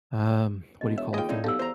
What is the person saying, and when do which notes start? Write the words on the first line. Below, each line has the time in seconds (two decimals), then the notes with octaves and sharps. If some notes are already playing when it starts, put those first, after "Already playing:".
um, what do you call it? The
0.81 E1 D#5
0.98 C#5 E5
1.14 D#2 F4 G#4 D#5 G5
1.29 A2 A#3 C4 D#4 D5
1.44 B1 G4 A4 F5 E6
1.59 E2 C5 A#5